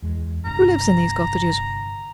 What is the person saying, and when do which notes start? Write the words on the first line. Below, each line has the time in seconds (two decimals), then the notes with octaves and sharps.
Who lives in these cottages?'
0.02 E2 G#3
0.45 G1 G2 C3 A#5